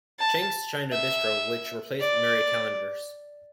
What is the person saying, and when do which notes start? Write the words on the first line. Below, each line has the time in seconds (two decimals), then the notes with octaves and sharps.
Chang's China Bistro, which replaced Marie Callender's.
0.19 A5
0.91 E5
2.00 D5